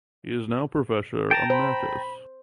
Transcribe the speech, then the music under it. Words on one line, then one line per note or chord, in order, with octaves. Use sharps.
He is now Professor Emeritus.
G5 A5 A#5 A6
C5 B5